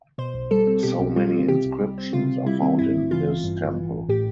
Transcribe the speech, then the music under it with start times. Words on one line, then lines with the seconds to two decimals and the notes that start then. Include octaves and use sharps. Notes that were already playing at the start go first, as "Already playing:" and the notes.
So many inscriptions are found in this temple.
0.18 B2 C5
0.34 B1
0.51 G3 A4
0.67 C4
0.83 B2 G4
1.00 B1
1.16 G3 F4
1.33 C4
1.48 C3 G4
1.65 C2
1.81 G3
1.98 C4
2.13 C3 F4
2.30 C2
2.46 G3 E4
2.62 C4
2.79 G2 E4
2.95 A1
3.11 E3 F4
3.27 A1
3.44 G2
3.60 A1
3.77 E3
3.92 A1
4.09 A2 G4